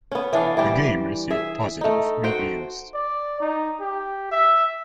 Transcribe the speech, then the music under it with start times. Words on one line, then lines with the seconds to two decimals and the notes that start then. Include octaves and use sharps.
The game received positive reviews.
0.12 B3 C#4
0.33 E3 D4 F5
0.57 E3 G3 G4 C5
1.30 G#4 E5
1.81 A3 D#4
2.24 F#4 C5 G5
2.94 D5
3.41 D#4
3.81 G4
4.32 E5